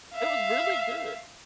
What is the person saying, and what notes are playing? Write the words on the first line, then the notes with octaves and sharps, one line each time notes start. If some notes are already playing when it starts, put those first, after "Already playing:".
It was really good.
E5 F5